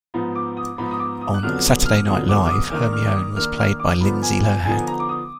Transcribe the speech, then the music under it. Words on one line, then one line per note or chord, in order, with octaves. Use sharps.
On "Saturday Night Live", Hermione was played by Lindsay Lohan.
G#2 F3 B3 D#4 B5
D6
D#6
G#2 F3 B3 D#4 B5
D#6
D6
D#6
F#6
F2 D3 F#3 B3 F6
F6
F2 D3 F#3 B3 D#6
D6
D6
D#6
D#3 A#3 D4 F6
F6
D6
D#6
D#3 A#3 D4 F6
F6
D6
D3 F3 B3 D#4 B5
G#5
G#5
D3 F3 B3 D#4 G#5
A#5
D6
D#6